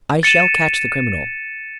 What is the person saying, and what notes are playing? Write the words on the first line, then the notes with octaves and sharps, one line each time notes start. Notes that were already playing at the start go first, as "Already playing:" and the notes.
I shall catch the criminal.
A6 C#7 D#7 E7